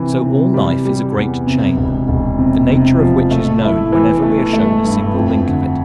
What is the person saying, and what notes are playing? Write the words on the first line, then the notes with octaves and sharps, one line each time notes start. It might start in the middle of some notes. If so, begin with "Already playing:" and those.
So all life is a great chain, the nature of which is known whenever we are shown a single link of it.
Already playing: C3 E3
C3
G3
G3
E2
C3
E1
E1
C3
C3
F3
A3
E4
E3
A3
A3
G2
F2
D3